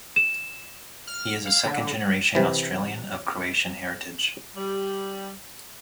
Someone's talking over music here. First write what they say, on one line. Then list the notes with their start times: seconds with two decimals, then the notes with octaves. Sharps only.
He is a second generation Australian of Croatian heritage.
0.16 E7
1.07 F6
1.46 F5
1.65 D3
2.35 C3 E3
4.56 G3